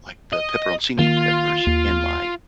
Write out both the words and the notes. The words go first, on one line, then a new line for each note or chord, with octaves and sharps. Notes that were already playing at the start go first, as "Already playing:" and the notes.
like, the peperoncini peppers in my,
D#5
D#3 A#3 F4
D#2